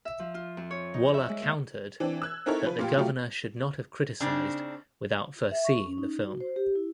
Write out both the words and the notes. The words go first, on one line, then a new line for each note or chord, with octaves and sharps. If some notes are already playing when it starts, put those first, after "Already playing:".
Waller countered that the Governor should not have criticized without first seeing the film.
E5
F3
F4
F2
C#5
D#4
E5
G#3
D#2
E3 C4 D4
E6 F#6 G#6
C4 D#4 E4 A4 A#4 C#5
F3 B4
A#2 F4 G4
F#3 A3 F4 G4
C#3 C4 D4 D#4
E5
C#6
C#4
D#4
F#4
C5
G4
E4